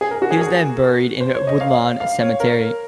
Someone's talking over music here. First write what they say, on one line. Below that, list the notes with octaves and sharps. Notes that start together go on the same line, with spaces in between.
He was then buried in Woodlawn Cemetery.
G#4
A#4
F#4
G#4
G#4
C5
C#5
D#5
F5
F5
C#5
A#4